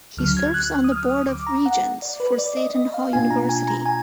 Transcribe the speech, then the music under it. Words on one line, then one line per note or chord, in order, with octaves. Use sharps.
He serves on the board of regents for Seton Hall University.
D2 D3 F#3 F6
G#6
F#6
D#6
F6
D#6
D6
A#5
F#5
D5
B4
D5
D#5
D#5
F5
B2 A#3 D4 F4 G#5
A#5
G#5
A#5
G#5